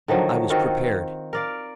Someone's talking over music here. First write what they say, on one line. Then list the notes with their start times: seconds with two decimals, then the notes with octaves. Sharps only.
I was prepared.
0.08 D3 D#3 F3 F#3
0.50 D#3 C4 F4 F#4
1.33 A#4 D5 F5